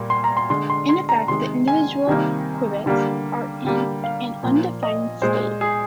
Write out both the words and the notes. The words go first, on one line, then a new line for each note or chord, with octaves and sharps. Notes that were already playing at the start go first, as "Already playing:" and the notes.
In effect, the individual qubits are in an undefined state.
Already playing: A#2 G3 A#3
C6
A#5
C6
D3 G#3 C6
C6
C6
A#5
C3 D#3 G#3 C6
G#5
C3 D#3 G3 A#3
D3 G3 A#3
D3 G3 A#3
F5
A#2 F3 A#3
D#5
A#2 G#3 C5
G#4